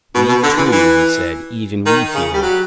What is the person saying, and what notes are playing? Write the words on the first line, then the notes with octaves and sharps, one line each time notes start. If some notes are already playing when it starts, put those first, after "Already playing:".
"We, too," he said, "even we feel it."
B2
B2
D3
E3
E3
D#3
C#3
G3
F#3